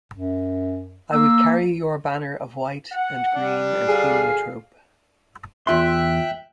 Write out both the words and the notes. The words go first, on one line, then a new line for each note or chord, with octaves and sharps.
I would carry your banner of white and green and heliotrope.
F#2
A#3 E6
F#5
G3 D4
D2 G#4 F5
E2 F4 E5 G5 C6 F#6